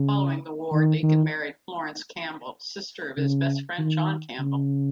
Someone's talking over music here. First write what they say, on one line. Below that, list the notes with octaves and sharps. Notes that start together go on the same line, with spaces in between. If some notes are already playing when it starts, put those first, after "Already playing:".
Following the war, Deacon married Florence Campbell, sister of his best friend John Campbell.
Already playing: C#3
D#3
D#3
C#3
D#3
C#3